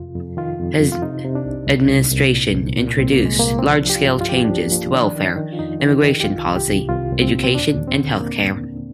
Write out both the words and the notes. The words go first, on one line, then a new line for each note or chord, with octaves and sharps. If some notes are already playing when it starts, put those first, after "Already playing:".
His administration introduced large-scale changes to welfare, immigration policy, education, and healthcare.
Already playing: F2 C3 F4
F2
D#3 F4
F2
F2
F4
C3 D#4
C3
D4
C2
C2
C2
C2
A#2
C2
A#2
C2 C4
A#3
C2
G#3
C2 A#3
C4
F3 D4
F3 G4
F4
G2
F4
F3 G4
D4
F3
A#3
F3
D#3 D4
D#3
D#3
F4
F2 D#4
D#3
D#3
G4
C2 F4
C2
G4
C2
C2 F4
C2
C4
A#2
C4
D#2 D4
D#2
C4
D3
A#3